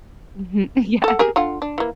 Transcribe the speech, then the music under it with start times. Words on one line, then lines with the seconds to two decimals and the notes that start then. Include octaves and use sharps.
Mhm, yeah.
1.04 A4 F#5
1.19 G4 G#4 A#4
1.36 D3 F4 F#5
1.62 D4
1.78 E3 A#3